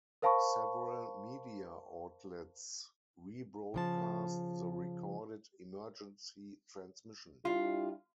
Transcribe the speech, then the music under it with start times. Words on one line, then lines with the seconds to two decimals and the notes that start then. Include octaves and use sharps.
Several media outlets rebroadcast the recorded emergency transmission.
0.22 A#4 C5 F5 A5 B5 C#6
3.74 C#3 F3 A5
7.45 G3 D4 E4 F4